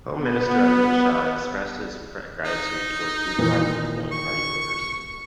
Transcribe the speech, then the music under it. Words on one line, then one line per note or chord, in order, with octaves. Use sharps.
Home Minister Amit Shah expressed his gratitude towards Gujarati people and party workers.
B3
D#4
A#2 D#3 E3
C#6